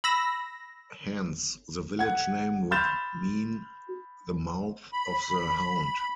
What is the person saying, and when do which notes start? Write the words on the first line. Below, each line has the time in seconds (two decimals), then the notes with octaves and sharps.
Hence the village name would mean "The Mouth of the Hound".
0.04 B5 E6 A#6
1.99 F#5 G#6
2.71 B5 C6 F6 G6 A6 E7
4.93 B5